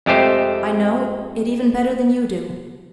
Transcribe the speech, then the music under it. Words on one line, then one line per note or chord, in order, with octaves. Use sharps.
I know it even better than you do.
F2 G#3 A3 G4 C5